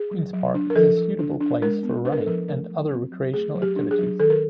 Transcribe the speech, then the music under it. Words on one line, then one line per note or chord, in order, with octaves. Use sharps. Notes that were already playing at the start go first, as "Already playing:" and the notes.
Queens Park is a suitable place for running and other recreational activities.
Already playing: G#4
F#3
F#3
D4
A#4
F3 A4
F3
D4
D4
G#3 A#4
B3
D4 B4
A#4
A4
F3 A#4
A3 A#4
F#3
C4
F#3
A3 G#4
F#3
G4
D4
G#4
F#3
D#3 A4
A#4